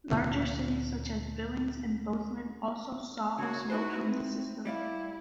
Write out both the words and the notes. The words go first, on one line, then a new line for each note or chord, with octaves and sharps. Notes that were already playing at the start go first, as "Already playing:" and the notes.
Larger cities such as Billings and Bozeman also saw of snow from the system.
D2 A#2 D3 E3
C#3 A#3 F#4 C#5
D#4 E4 F#4 B4 C5
C4
G3 E4 D5 F5